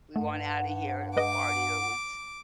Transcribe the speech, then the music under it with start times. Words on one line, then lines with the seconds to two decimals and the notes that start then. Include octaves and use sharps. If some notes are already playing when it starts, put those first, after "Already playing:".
we want outta here, the party, yeah, was
0.16 G2 A3 F#5
1.16 G#3 B4 D#5 D6